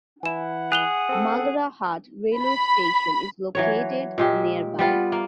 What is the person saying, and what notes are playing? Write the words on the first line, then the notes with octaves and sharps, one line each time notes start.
Magra Hat railway station is located nearby.
E3 E4 F#5 G#5 E7
G#4 F#6 F7 G7
C4 A4
B5
E3 F#3 C#5
A#2 G#3 G4
G3 B3 F4
A#3